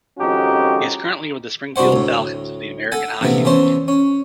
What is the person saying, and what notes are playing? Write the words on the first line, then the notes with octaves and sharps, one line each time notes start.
He is currently with the Springfield Falcons of the American Hockey League.
G#1 F2 C#4 D#4 F#4 G4
C2 D4 F#4 C5 F#5
D2 A2
A4 F#5 G#5
A#1 C3 E3 B3
E2 E3 C#4 C5 A5
C#4